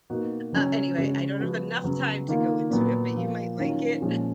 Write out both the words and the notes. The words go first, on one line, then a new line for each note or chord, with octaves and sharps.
Uh, anyway, I don't have enough time to go into it, but you might like it,
B2 A#3 D#4 F#4
C#3 F#3 C#4
C#3 G#3 C#4 F#4
F3 G#3 B3 F#4
C#3 F#3 B3
D#3 A#3 F4
A#2 F#3 B3
F3 A#3 F4
D#3 F#3 C#4 F4
A#2 F3 G#3 C#4